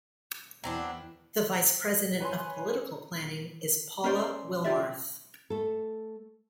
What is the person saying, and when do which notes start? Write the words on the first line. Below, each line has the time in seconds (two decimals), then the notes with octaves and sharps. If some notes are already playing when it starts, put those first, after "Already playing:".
The Vice President of Political Planning is Paula Willmarth.
0.64 E2 F#3 C4 D4 E4
2.20 B4 C#5 G#5 C6
4.04 C#4 A#4 C5 D5
4.64 F4 G4 D5 E5
5.50 A3 A4